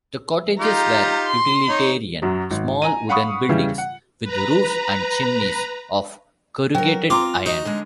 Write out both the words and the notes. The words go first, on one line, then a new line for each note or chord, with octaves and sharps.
The cottages were utilitarian small wooden buildings with roofs and chimneys of corrugated iron.
D#4 F4 G4 A#5
C6
D#4 C#5
F#2 F#3
G#1
G#5 A#5 D#7
F5 F#5 B5 C#6 D#6
C#3 E3 G3
F#5
B4 A#5
F#3 A#4 G5
C4 F4 A#5 C6 D6
D#4 F#4
D3 F#3 G#3